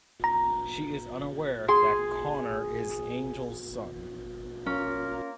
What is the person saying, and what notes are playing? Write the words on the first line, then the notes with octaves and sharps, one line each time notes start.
She is unaware that Connor is Angel's son.
A#5
G#4 C6
A#3 C#4 F4 A#4